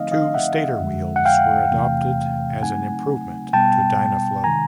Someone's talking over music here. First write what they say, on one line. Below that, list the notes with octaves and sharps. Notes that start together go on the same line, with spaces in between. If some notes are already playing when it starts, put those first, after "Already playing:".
Two stator wheels were adopted as an improvement to Dynaflow.
Already playing: D3 F3 A3 C4 D#4 D#5 F5
D#5 F5
E5 F#5
F2 D3 F3 G#3
F#5
F5 G5
E2 C3 E3 A3
C#3 F#3 A3 C4 D#4 F#5 G#5
B2 G3 B3 G5 A5
C3 D#3 G#3 G#5 A#5